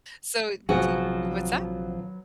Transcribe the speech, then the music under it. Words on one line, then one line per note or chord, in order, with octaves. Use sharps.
So do what's that?
A#1 C3 D#3 F3 F#3 B3 F#4 G#4